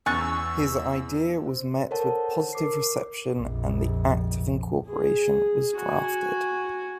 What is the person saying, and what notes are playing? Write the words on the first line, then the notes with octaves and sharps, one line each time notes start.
His idea was met with positive reception and the act of incorporation was drafted.
E2 C#4 G#5 A#5 C#6 E6 F#6 A6
C5
A4 A#4 C5 C#5 F#5 A5
A#4 D6 C7
A#1 F2
G#4
F#4 G#5